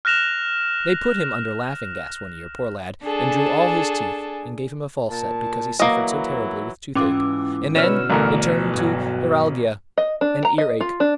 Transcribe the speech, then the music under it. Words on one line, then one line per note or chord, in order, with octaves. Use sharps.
They put him under laughing-gas one year, poor lad, and drew all his teeth, and gave him a false set, because he suffered so terribly with toothache; and then it turned to neuralgia and ear-ache.
F6 F#6 A#6 E7 F7
D4 G#4 A4 G#5
A#2 A5
E3 F#3 A#3 E4 D#5
G#2 E3 C#4 F4 D6
B2 D3 C#4 D#4 B4 F6 E7
A1 D2 A#4
G2 F#3
D#5
D4
A#5
D#5
F4
D4